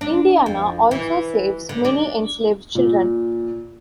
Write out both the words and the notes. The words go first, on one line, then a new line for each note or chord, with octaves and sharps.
Indiana also saves many enslaved children.
D4
F2
E3
D3
D4
A#2